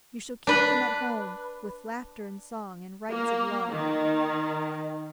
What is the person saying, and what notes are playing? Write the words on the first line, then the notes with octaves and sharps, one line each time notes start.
You shall keep them at home, with laughter and song and rites of love.
D4 B4
A#3
D#3